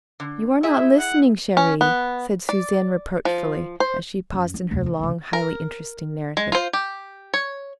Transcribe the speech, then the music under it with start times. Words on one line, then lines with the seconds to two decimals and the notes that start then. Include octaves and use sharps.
"You are not listening, CHERIE," said Suzanne, reproachfully, as she paused in her long, highly interesting narrative.
0.20 D3
0.63 E4 G#4 E5
0.99 F#5
1.57 C#4
1.81 B3
2.49 D5
3.25 F3
3.80 C5
4.33 F#2
4.54 D4
4.71 F1 D#2
4.86 D#3
4.99 D2 C#3
5.33 A#4
6.37 G#3
6.52 F4 C5
6.73 G4
7.34 C#5